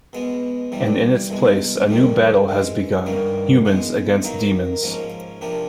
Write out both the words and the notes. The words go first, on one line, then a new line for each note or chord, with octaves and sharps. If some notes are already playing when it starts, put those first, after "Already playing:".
And in its place, a new battle has begun: humans against demons.
B2 G#3 B3
C3 E3 G3
C2 B2 G#3
F2 C3 D#3 G3 C4
G#2 E3 G#3
G2 D#3 G3 A#3 C#4
E3 G#3 B3
D#3 F#3 A#3 D#4
G#2 F3 A#3 C#4
C3 F3 A#3 D4 G4